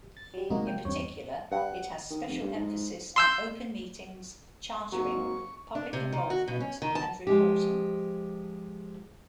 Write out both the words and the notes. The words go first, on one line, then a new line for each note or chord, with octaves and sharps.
In particular, it has special emphasis on open meetings, chartering, public involvement, and reporting.
A6
F#3 G3
C3 G#3 A#3 D#4 F#4
G5
E2 G2 C4 C#5
G2 F#5
D#3
F1
G2
G#2
C6 E6 G6
G#1 G#2 F#3 A#3 C#6
D4
C3
D#3
F#4
B2
C#4
D#3
A5
F3 G#3 G4